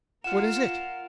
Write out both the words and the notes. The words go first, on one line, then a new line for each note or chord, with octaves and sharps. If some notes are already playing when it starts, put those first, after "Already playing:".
"What is it?"
F4 A#4 F#5 F6 E7